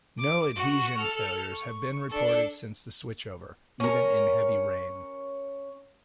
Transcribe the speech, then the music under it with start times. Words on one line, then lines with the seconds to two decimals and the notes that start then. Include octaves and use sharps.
No adhesion failures have been reported since the switchover, even in heavy rain.
0.18 D6
0.56 F#4
0.97 A4 F6
1.54 C#6
2.10 D4 A4
3.80 C#4 A#4